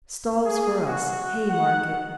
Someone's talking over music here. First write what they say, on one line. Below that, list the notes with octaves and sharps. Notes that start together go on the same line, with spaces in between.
Stalls for us, Haymarket.
G#4
F#4
F#5